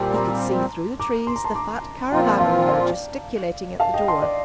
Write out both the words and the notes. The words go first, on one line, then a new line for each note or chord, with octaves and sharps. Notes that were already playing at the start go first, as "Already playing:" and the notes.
He could see through the trees the fat caravan-owner gesticulating at the door.
Already playing: A#2 G3 C4 A5 C6
A#5 D6
A#5 D6
C6
A#5
A5 C6
A#5 D6
A#2 F3 C4 F4 G5 A#5
F5 A5
D5 F5
F5 A5
D#5 G5
A5 C6
D5